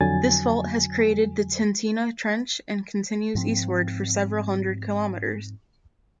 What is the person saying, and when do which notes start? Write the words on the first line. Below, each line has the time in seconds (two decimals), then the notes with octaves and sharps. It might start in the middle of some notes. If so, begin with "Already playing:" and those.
This fault has created the Tintina Trench and continues eastward for several hundred kilometres.
0.01 F2 D3 F#3 G#5 A6
3.35 G#2 F3 C4